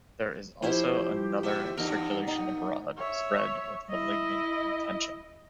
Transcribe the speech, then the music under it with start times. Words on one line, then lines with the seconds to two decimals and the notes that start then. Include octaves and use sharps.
There is also another circulation abroad, spread with a malignant intention.
0.62 F3 C#4 E4 G4 C5
1.43 A#2 C5 E5
1.77 E2 G2 D#4 G4 A#4 F#5
2.28 A#2 D#4
2.98 C#5 E5
3.89 E4 D#5